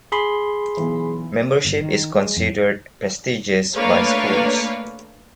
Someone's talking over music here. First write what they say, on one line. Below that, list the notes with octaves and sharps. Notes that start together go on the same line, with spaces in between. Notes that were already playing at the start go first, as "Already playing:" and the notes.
Membership is considered prestigious by schools.
G#4 B5 C6
B1 E3
G1
D#3
G#3
F2
A3 A#3 D4 B4 C#5 F5